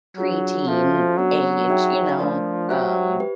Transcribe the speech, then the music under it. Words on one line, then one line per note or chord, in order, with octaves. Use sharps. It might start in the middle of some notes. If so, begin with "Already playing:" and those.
preteen age, you know, um
F#3 D4 F4 G#4
F3 C#4 F#4 A4 C5 E5
F#3 B3 D4 F#4
D#4 G#4 C#5 E5 G5
F3 A3 D4 F4 A#4 D5
F#3 G4 C5 E5 G5
G4 B4